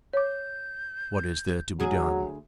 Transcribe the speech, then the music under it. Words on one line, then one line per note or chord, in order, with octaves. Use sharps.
What is there to be done?
C#5 D6 G6
D2 F#3 G#4